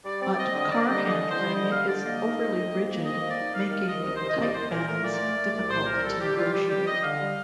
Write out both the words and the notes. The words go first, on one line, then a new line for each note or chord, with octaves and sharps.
But car handling is overly rigid making tight bends difficult to negotiate.
G3 D5
C4 D5
C4 D#5
D3 D#5
D3 D5
G3 D#5
D3 D#5
D3
C5
G3
D3 D#5
G3 F5
D3 D5
A#3 D#5
D#4
F2
F2
A#3
A#3
F2 D#5
A#3
D5
D#4
A#3 F5
D#3 F5
D#3 D#5
C2 D#5
C5
C2
D#5
C2 D5
C2 C5
A#2 A#4
A3 A#4
A#2 D5
A3
A3
C2 D5
A#2 C5
C2 A#4
G3 A4
G3 G4
G3 F4
G3 G4
G3 G4
G3 D#5
D3 F5
G3